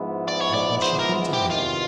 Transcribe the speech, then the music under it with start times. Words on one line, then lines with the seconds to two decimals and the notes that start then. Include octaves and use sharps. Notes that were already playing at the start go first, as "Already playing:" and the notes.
What was she hinting at?
Already playing: G#2 F3 G#3 B3 E4
0.28 D5
0.41 C#5
0.54 D5
0.82 C5
0.99 A#4
1.33 G4
1.50 E2 C3 D#3 F4